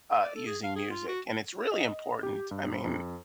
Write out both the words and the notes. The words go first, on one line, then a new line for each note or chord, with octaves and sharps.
uh, using music. And it's really important, I mean
D5
A4
G#4
F5
G#4
F4
F#4
D#5
G4
G2
F2